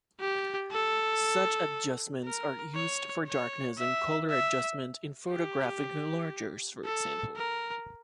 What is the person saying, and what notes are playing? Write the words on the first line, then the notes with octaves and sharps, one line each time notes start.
Such adjustments are used for darkness and color adjustment in photographic enlargers, for example.
G4
A4
A#4
C#5
C#5
E5
E5
G4
A4
A#4